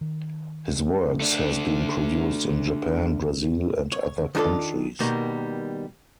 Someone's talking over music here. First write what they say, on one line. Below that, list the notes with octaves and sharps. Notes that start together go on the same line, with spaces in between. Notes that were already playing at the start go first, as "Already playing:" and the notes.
His work has been produced in Japan, Brazil and other countries.
D#3
A3 D4
C#5
D#3 D4 F4 A4 D5
B2 D#3 G3 A#3